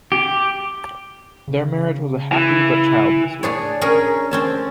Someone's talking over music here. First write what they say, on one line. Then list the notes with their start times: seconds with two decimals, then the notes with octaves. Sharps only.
Their marriage was a happy, but childless one.
0.12 G4
1.47 C#3
2.32 E3
3.43 D4 G#4 C#5
3.81 C#4 G#4 A#4
4.31 C4 C#4 A5